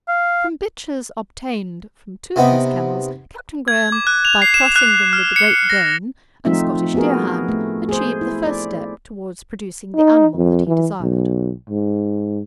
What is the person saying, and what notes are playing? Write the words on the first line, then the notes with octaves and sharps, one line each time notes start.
From bitches obtained from two of these kennels, Captain Graham, by crossing them with the Great Dane and Scottish Deerhound, achieved the first step towards producing the animal that he desired.
F5
C3 B3 D#4
G#6
D6
F#6
F7
C7
E7
F#6
F6
C#7
A#6
F3 A3 C4 D#4 F4 E5
B3 F#4 G#4 A#4
A3
G#4 C5
E4
D5
D#4
F2
E3
B1
G#2